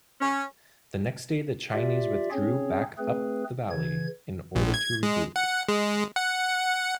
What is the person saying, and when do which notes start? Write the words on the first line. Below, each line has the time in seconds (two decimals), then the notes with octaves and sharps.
The next day the Chinese withdrew back up the valley, in order to regroup.
0.21 C#4
1.72 F4 G4 D5 E5
2.31 C4 C#4 G#4 C#5
2.98 A3 C4 G#4 B4
3.70 C#3 E3 G#6
4.55 A#1
4.74 G#6
5.03 G#3
5.36 F#5
5.69 G#3
6.16 F#5